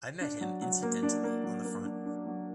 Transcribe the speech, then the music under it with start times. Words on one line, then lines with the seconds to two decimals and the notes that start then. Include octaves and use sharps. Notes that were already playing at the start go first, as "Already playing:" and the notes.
I met him incidentally on the front.
0.21 D4
0.41 F#3
0.62 F#3
0.82 A#3
1.03 D4
1.23 A#3
1.44 F#3
1.65 A#3
1.85 D4
2.05 D4
2.26 F#3